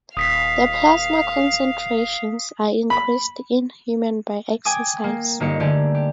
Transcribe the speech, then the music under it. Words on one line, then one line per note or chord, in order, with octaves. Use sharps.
The plasma concentrations are increased in human by exercise.
D#1 F5 D#6 B6 C7
B5
G5 G#5 D6 D#6
A#3
G1 A#3 D#4 G4 C#7
D3 A3 D4 G4 G#4
G4